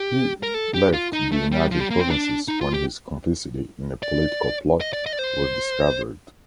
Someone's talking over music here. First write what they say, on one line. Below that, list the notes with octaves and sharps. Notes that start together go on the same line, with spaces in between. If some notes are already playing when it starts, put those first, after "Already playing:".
He left the United Provinces when his complicity in a political plot was discovered.
Already playing: G4
A#4
A4
G4
F4
D#4
A3
G3
F3
G3
A#3
C4
D4
D#4
F4
G4
D5
D#5
D5
D#5
D5
C5